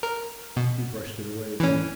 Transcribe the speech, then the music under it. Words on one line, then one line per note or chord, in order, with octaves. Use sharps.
He brushed it away again.
A#4
B2
E3 C#4